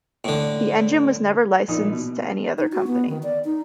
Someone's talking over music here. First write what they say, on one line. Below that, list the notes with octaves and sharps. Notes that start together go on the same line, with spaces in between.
The engine was never licensed to any other company.
A2 D3
A#1 A#2 D#4 D#6
B2
D#4
F#4
B3
D#3
D5
D#4